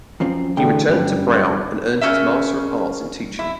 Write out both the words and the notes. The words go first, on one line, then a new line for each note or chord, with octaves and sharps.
He returned to Brown and earned his Master of Arts in Teaching.
F#2 F3 C4
E2 A2 D3 G5
G1 F#2 G3
C#3 C#4 A#4 E5
E4